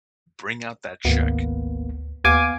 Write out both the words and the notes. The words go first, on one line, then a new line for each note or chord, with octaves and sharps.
bring out that check,
G#1 D2 A#3 B3
D#2 B3 F5 G#5 D6